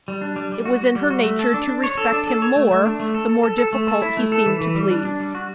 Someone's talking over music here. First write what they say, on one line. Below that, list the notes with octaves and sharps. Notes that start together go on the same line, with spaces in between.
It was in her nature to respect him more, the more difficult he seemed to please.
G3
D4
G3
G3
F#4
F#4
G3
F#4
A3
A4
D4
D4
C#5
A4
D4
A4
C#5
A3
A3
D4
A3
A4
A4
A4
A4
A3
A4
E4
A3
A4
E3
E3
G3
D4
D4
G3
F#4